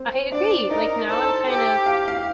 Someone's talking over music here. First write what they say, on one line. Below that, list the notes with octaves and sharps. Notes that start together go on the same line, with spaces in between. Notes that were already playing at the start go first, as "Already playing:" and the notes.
I agree, like, now I'm kind of
Already playing: C4
D4 D5
D#4 A#4
A4 C5
G4
F5
F5